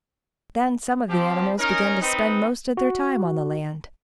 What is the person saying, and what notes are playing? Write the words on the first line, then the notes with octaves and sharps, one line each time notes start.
Then some of the animals began to spend most of their time on the land.
F3 C4 G4
C#4 D#4 A#4
C4 D#4 B4
F#4